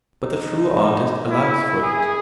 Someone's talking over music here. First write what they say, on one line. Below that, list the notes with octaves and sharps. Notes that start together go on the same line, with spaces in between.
But the true artist allows for it.
D#4
E4
G#4